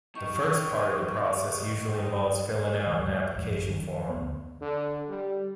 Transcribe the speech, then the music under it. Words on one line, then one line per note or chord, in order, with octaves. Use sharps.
The first part of the process usually involves filling out an application form.
D#3 D#4 C#6
D1 E3
G#3
A1 F2
G1
F#2 D#3
D2 B3
D3
G3